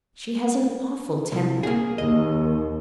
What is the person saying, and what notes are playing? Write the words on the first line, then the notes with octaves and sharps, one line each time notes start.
'She has an awful temper.'
C2
A#3 G#4
D#2 D#5